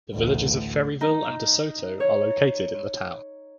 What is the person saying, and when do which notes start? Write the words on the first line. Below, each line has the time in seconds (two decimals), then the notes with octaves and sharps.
The villages of Ferryville and De Soto are located in the town.
0.13 A1 D2
1.01 D#4
2.00 C#5